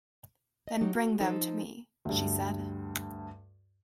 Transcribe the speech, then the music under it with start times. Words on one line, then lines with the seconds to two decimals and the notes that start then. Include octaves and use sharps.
"Then bring them to me," she said.
0.68 D#5
0.81 F#3 D#4 G4
0.95 F#4
1.20 F3 D#4 A4 C5
2.05 D2 G2